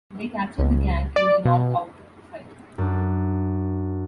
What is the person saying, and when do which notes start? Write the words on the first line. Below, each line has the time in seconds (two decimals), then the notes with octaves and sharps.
They capture the gang in an all-out fight.
0.59 C#2
1.16 D5
1.45 B2
2.78 F#2 D4